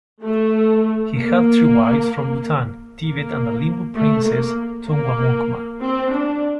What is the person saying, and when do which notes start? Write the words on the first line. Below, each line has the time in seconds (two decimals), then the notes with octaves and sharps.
He had three wives from Bhutan, Tibet and a Limbu princess, Thungwamukma.
0.22 A3
1.15 A#3
3.02 A#3
3.95 A3
4.25 A#3
4.87 A#3
5.80 C4
6.11 D4